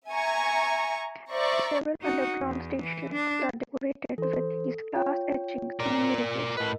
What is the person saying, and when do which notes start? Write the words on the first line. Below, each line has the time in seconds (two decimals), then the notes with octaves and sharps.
Several underground stations are decorated with his glass etchings and images.
0.11 E5 G#5 A#5 C#6
1.32 C5 D5 E5 A#5 C#6
2.01 D#4 F#4
2.42 E2
2.82 E3
3.13 D4
4.18 E3 A4 C5
4.96 F4 C#5 G5
5.80 A#4 D5
6.57 A2 A#4 B4 D#5